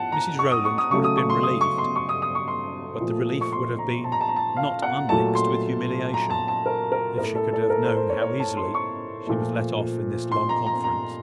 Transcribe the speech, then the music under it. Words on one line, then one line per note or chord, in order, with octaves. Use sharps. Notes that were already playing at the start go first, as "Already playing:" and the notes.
Mrs Rowland would have been relieved, but the relief would have been not unmixed with humiliation, if she could have known how easily she was let off in this long conference.
Already playing: A2 F3 F#5 A5
A#5
C#6
D#6
C#6
D#6
C#3 F#3 A3 C#6
D#6
C#6
C6
D#6
C#6
C6
C#6
D#6
D#6
C#6
C6
A#2 F3 A3
C#6
C6
A#5
A5
A#5
A5
A#5
A5
F5
F#5
A#2 F#3 A3 A5
C6
A#5
A5
A5
A#4
A#4
A2 A3 A#4
A4
A4
A#4
C5
C5
C#5
C#5
A5
C6
C#6
A#2 F3 A3
C6
A#5
A#5
A#5